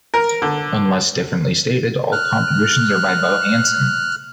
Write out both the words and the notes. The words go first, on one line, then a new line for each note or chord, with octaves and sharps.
Unless differently stated, all compositions are by Bo Hansson.
A#4
D3
F6 F#6